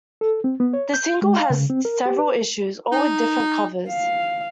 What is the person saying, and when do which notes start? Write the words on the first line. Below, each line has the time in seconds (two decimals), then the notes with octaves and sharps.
The single has several issues, all with different covers.
0.21 A4
0.44 C4
0.60 B3
0.73 C#5
0.94 G6
1.22 G#3
1.37 F5
1.50 C#3
1.70 C4
1.85 A#4
2.06 G4
2.19 B4
2.92 D#4
3.89 F5